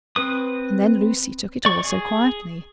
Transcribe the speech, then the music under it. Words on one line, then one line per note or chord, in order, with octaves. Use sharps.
And then Lucy took it all so quietly.
C4 B4 D#6
D5 C#6
G#4